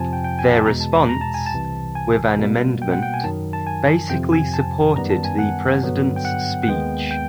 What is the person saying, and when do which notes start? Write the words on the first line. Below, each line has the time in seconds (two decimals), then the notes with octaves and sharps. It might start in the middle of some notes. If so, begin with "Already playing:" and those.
Their response, with an amendment, basically supported the President's speech.
Already playing: F2 C3 F3 G#5 A5
0.13 G5
0.24 G5
0.39 G#5
0.52 A5
0.66 E2 B2 G#3 A#5
0.81 A5
0.95 A#5
1.09 A#5
1.21 A5
1.34 G#5
1.46 A5
1.53 C2 C3 E3
1.95 G#5
2.39 B2 G3 A#3
2.82 G5
2.92 F#5
3.03 G5
3.14 G#5
3.24 F#2 D#3 F#3 A5
3.53 A5
3.67 G#5
4.10 F2 C3 F3 G5
4.32 G#5
4.54 A5
4.96 F#2 D#3 G3 B3 A#5
5.10 A5
5.25 G#5
5.39 F#5
5.82 G2 D3 F#3 B3
6.16 G5
6.25 F#5
6.63 F#5
6.68 D#2 D#3 G#3 B3 G5
7.11 G5